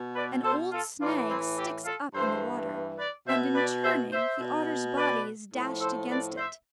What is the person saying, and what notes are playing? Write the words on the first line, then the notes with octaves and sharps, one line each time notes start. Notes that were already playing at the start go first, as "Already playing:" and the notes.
An old snag sticks up in the water, and, in turning, the otter's body is dashed against it.
Already playing: B2
B4 D5
A4 C5
F4 A4
A2 E3 D4 F4
C4 E4
E4 G4
F4 A4
G2 E3 A4 C5
B4 D5
B2 C5 E5
B4 D5
C5 E5
C5 E5
B2
B4 D5
A2 F3
A4 C5
B4 D5
C5 E5